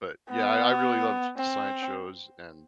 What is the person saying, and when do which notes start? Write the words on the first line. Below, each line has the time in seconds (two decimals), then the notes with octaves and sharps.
but, yeah, I I really love s science shows and,
0.30 B3
1.38 C4